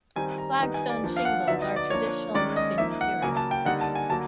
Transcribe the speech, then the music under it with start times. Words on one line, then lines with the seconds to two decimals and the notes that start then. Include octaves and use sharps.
Flagstone shingles are a traditional roofing material.
0.16 D#3 G3 C4 D#4 G#5
0.38 A#5
0.60 D#3 G3 B3 D#4
0.74 G#5
0.89 D5
1.04 F3 A#3 D4
1.17 F5
1.25 F#5
1.47 D3 F#3 B3 D#4 E5
1.62 D#5
1.76 D5
1.90 F3 A#3 D4 C#5
2.34 D#3 G#3 C#4 D5
2.56 D#5
2.78 F3 A#3 D#4 E5
3.01 F#5
3.22 C#3 F#3 A#3 G#5
3.37 A5
3.51 G5
3.65 D3 G3 A#3 D#4 F#5
3.81 A5
3.95 G#5
4.10 D3 F#3 A#3 A5